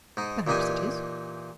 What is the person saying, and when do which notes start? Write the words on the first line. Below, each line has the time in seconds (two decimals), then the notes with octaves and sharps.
'Perhaps it is.
0.17 G#2 D#4
0.47 A#2 E3 D#4 G4 G#5